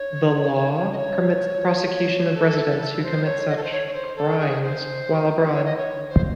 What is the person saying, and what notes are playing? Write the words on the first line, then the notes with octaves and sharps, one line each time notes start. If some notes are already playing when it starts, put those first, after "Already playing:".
The law permits the prosecution of residents who commit such crimes while abroad.
Already playing: C#5
D#5
C#5
A4
A4
C5
C#5
D#5
A4
C5
C#5
C#5
C5
A4
G#4
C5
C#5
D#5
C#5
C5